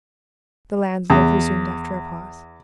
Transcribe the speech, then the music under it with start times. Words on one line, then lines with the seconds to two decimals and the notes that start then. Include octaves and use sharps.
The landlord resumed after a pause.
1.10 E2